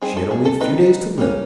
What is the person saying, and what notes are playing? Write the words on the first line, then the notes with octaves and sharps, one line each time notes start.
She had only a few days to live.
G3 C4 D#4 G#4
A4
G#4
A4
G3 C4 D#4 B4
G3 A#3 C#4